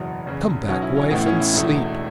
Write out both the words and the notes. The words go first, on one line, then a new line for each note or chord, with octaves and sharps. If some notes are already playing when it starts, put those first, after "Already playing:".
"Come back, wife, and sleep."
Already playing: F#1 E2 B2 F#3 E4
F#1 E2 C#3
B1 B2 F#3 C#4
E4
C#4
A1 A2 E3 A3 B3
E4
C#4
E4
E1 E2 B2 A3